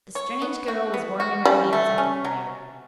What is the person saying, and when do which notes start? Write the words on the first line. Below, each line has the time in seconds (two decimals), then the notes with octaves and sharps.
The strange girl was warming her hands at the fire.
0.15 C#5
0.42 B3
0.68 F#4
0.94 B3
1.20 F#4
1.45 G3 C#4
1.73 A3
1.98 C#4
2.25 F#3